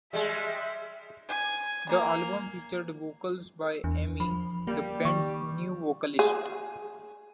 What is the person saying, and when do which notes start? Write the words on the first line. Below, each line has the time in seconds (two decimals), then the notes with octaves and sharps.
The album featured vocals by Aimee, the band's new vocalist.
0.13 G3 G#3 E5
1.29 G#5
1.90 A#3
3.63 A#4
3.84 E2 D4
4.20 F3 B5
4.67 G3 A#3
5.05 D#3 C#6
6.19 G#4